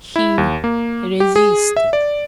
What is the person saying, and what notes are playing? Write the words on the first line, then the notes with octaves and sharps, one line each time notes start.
He resisted....
E4
D#2
A#3
G4
G#4
E5
D5